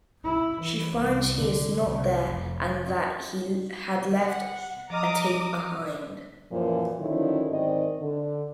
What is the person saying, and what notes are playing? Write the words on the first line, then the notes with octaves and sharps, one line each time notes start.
She finds he is not there and that he had left a tape behind.
E4
E3
C2
D3
C2
F1
F#5
F3 D#5 A#5 D6 D#6 F6
F#2 A#2 E3 F3
D3 D#3 F3 F#3 C#4 E4
G#2 D#3 C4 D5 D#5
D3